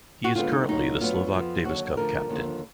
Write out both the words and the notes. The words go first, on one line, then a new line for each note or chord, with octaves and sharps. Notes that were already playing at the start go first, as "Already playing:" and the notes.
He is currently the Slovak Davis Cup captain.
F#4
D#2 D3 G#3 B3 F4
D#4
A#2 F#3 A#3 D#4
D2 D3 F#3 B3 F4
F2 F3 B3
D#2 D3 F#3 F#4
D2 D3 F3 A#4
D#2 D3 F3